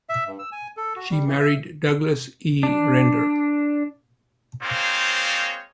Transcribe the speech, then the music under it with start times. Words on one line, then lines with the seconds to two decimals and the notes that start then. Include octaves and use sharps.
She married Douglas E. Render.
0.09 E5
0.27 G2
0.39 E6
0.52 G#5
0.77 A4
0.96 F#4
1.11 G3
1.26 E3
1.40 E5
2.63 D4
4.63 G#3 A#3 C4 F4 C5 C#5